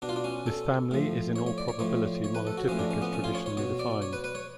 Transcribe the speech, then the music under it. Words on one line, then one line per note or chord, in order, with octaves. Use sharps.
This family is in all probability monotypic as traditionally defined.
B2 D4
F4
D4
C#4
A4
A2 F3
C#5
C#5
D5
C#5
A2 F3 C#5
C#5
B4
A4
F#4
A2 F3 C#4
D4
C#4
B3
C#4
F4
C#5
C#5
B2 C#5
D5
C#5
B4
B4
C#5